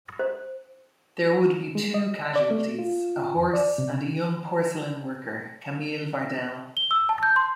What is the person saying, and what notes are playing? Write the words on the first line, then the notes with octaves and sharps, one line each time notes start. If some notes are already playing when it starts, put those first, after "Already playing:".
There would be two casualties: a horse and a young porcelain worker, Camille Vardelle.
C5
G#3
D#5
D5
A3
F4
F2
D5
C3
G7
E6
A5
G6
C6